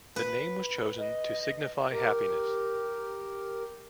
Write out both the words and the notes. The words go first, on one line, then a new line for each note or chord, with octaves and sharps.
The name was chosen to signify happiness.
B4
D#5
G4 A#4